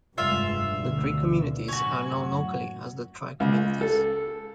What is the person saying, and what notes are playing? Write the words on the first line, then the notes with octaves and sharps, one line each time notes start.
The three communities are known locally as the 'tri-communities'.
F1 G2 G#3 F4 E5 F5
D2 B2 D3
F#2 A2 C#4 F#4
C#2
A4